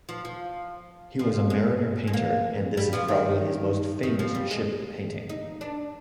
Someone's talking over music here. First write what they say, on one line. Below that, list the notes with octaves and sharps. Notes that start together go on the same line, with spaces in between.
He was a mariner painter, and this is probably his most famous ship painting.
F3
F3
F3
G#3
G#3
A#3
G3
F3
D#3
D#3
F3
G3
G#3
D#4
D4